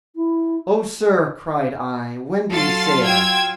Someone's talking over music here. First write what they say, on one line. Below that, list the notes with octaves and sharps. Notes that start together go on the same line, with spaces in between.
"Oh, sir," cried I, "when do we sail?"
E4
F#3 F4 A4 A6 C7
G5 E6 G#6